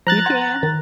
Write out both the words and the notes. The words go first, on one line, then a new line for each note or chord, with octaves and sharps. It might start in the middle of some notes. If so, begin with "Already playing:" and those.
You can?
F3 A#5 F#6 A6
F#5 C6 G#6
D#3